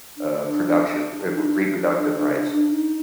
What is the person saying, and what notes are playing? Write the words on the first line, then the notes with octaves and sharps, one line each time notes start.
uh, production eh, re reproductive rights
D4
D#4
D4
D#4